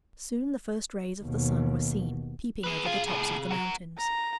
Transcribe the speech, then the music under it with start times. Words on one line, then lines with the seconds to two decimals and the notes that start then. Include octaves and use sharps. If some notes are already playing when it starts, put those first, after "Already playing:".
Soon the first rays of the sun were seen peeping over the tops of the mountains.
1.24 D#2 B2
2.64 G#4 B4
2.86 C3 F4 G#4
3.08 D#2 A2
3.51 F#4 A#4
3.98 A#5